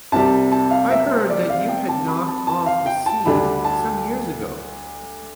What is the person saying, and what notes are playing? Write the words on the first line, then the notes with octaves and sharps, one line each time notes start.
I heard that you had knocked off the sea some years ago.
C2 C3 G3 A5
A5
F5
E5
C5
D5
F5
G5
A5
B5
A5
A5
F5
G5
A5
D2 D3 G3 D4 B5
A5